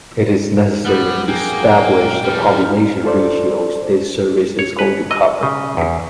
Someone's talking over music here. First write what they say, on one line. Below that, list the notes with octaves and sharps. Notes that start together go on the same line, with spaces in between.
It is necessary to stablish the population ratios this service is going to cover.
F2 A#2 F#3 G3 B3 F#6
A#3 G#4 F#5 G5
E2 A2 G3 F6
F4 A4 C5 D5
C#5
B4
D#5
C#3
E2